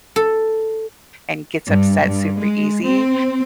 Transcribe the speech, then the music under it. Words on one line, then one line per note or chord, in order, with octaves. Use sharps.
and gets upset super-easy,
A4
G2
G2
G#3
C4